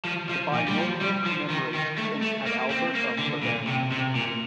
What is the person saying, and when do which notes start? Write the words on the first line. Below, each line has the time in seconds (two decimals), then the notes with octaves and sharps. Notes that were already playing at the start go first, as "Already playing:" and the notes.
The binomial commemorates Prince Adalbert of Bavaria.
0.05 F3
0.29 F3
0.53 A#2
0.68 G3
0.78 F3
1.01 G3
1.26 F3
1.50 D#3
1.74 D#3
1.98 A3
2.22 A3
2.46 A#3
2.71 C4
2.95 A#3
3.18 D3
3.43 A#2
3.67 C3
3.92 C3
4.16 A#2